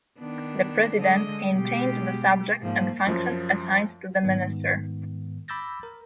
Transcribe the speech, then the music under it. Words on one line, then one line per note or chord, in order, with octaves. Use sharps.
The President can change the subjects and functions assigned to the Minister.
D#3 B3 D4
D3 G#3 D#5
B2 G#3 G4
G#2 F3 A#3
F#2 F3
G#2 D#3 B3
B5 D6 E6 G6 A6 A#6
A#4